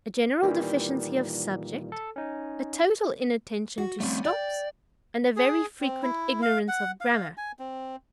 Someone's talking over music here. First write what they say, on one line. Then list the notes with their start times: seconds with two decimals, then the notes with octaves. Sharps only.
"A general deficiency of subject, a total inattention to stops, and a very frequent ignorance of grammar."
0.42 A#2 D#3 E3 G3
1.92 A4
2.16 C#4 D#4
3.78 F#4
4.00 G3 A3 C4 C#4
4.25 D5 G5
5.36 G#4
5.81 C4
6.03 E4
6.42 F5
6.68 F#5
7.01 F5
7.37 G#5
7.59 C4